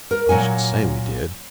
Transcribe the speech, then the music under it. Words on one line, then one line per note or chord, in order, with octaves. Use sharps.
"I should say we did?"
A#4
A#2 F#3 F#5 G#5